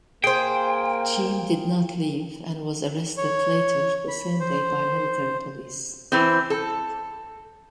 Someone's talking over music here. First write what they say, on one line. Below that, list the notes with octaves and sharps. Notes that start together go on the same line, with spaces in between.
Cheam did not leave, and was arrested later the same day by military police.
A#3 G#4 C5 G5
C#5
B5
C5
E3 C4
A4